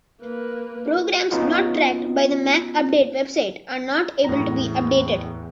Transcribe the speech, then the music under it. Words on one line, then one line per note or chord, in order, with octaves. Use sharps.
Programs not tracked by the MacUpdate website are not able to be updated.
A#3 B4
B3 C#4 D#4 F4 F#4
E2 A2 A#5